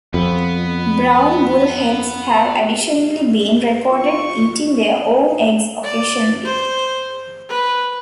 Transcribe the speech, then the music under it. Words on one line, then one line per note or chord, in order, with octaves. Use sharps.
Brown bullheads have additionally been recorded eating their own eggs occasionally.
F2 B3
F4 C#6
D5
C5
B4